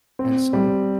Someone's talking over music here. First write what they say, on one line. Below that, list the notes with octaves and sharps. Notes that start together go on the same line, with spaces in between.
And son.
C4
G3